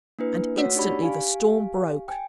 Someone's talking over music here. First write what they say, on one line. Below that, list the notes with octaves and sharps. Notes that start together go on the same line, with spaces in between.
And instantly the storm broke.
A#3 D4 E4 B4
A3 F#4 C#5 F#5 E6 B6
D4 D#4 G4 D5 B5
G4 F5 G#5
G5 G#5